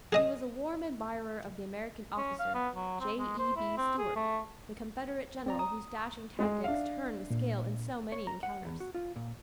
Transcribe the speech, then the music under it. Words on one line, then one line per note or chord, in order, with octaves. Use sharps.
He was a warm admirer of the American officer, J. E. B. Stuart, the Confederate General whose dashing tactics turned the scale in so many encounters.
G#4 D#5 D#6
C#4
F5
B3
F#3
C4
G#3
C5
E4
C4
G#4
A3
C4 D5 A#5
A#5 D#6
G#3 G#4
D4 E5 F5
A#2
C#5
A#5
F#5
E2
F#4
F4
A#2